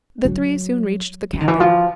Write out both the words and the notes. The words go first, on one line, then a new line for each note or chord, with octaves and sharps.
The three soon reached the cabin.
F#3
E3
D#3
E3
F3